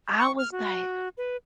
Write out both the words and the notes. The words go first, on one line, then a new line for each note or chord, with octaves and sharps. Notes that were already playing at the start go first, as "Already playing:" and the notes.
I was, like
C#6
F6
F#4
B4